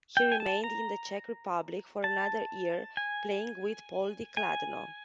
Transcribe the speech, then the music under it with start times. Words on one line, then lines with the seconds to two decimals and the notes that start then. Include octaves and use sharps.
He remained in the Czech Republic for another year, playing with Poldi Kladno.
0.17 G5
0.32 G#5
0.40 A5
0.64 A#5
2.04 A5
2.97 G#5
4.37 G#5